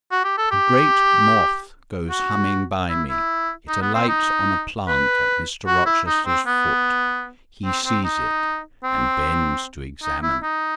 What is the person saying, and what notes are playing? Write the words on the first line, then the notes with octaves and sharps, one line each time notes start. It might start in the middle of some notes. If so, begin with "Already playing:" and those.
A great moth goes humming by me; it alights on a plant at Mr. Rochester's foot: he sees it, and bends to examine it.
F#4
G4
A4
G4
F#4
E4
E4
D#4
B3
C4
D#4
B4
F#4
E4
D#4
C4
B3
C4
C4
D#4
C4
D#4
E4
D#4